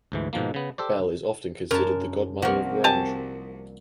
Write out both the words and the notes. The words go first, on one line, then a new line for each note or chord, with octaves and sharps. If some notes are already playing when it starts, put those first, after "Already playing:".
Bell is often considered the "Godmother of Grunge".
D2 G#2 E3
G#2 B2 D#3 F3 A#3
C#3 B3
G4 A4 C5 D5
F#2 A#4 A5
C2 F3 A#3 F#4
G4 G#5 A5